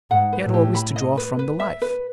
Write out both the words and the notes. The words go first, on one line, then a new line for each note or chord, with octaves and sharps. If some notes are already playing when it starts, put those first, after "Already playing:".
He had always to draw from the life.
G#2 F#5
B4
A2
G4
B5
D#5
B4
B4
E5
B4